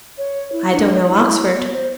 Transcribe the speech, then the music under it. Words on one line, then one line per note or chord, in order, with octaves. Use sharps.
'I don't know Oxford.
C#5
E4
D4
C#5
E4
B3
C5